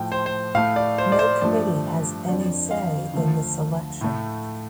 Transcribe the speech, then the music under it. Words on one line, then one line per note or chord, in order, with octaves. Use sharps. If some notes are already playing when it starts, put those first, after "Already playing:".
No committee has any say in the selection.
Already playing: A2 F3 A3 G5
C5
C5
A2 A3 F5
D5
C5
D5
C5
G2 F3 A3 D5
F2 D3 F3 D5
F5
D2 D3 F3 A3
A2 A3